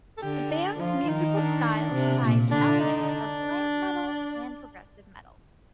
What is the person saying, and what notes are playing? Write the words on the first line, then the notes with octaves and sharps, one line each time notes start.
The band's musical style combines elements of glam metal and progressive metal.
A4
D3 G4
D4
F3 F4
D#3 D#4
D4
C3
A#2
D3 D4
D#4
D#4
D4